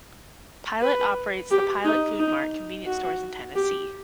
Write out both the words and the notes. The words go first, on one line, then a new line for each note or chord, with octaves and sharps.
Pilot operates the Pilot Food Mart convenience stores in Tennessee.
B4
G4
D#4
D#4
F#4
G4